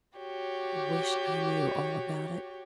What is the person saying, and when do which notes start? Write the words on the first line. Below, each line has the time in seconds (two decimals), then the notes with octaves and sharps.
I wish I knew all about it.
0.16 F#4 G4 C#5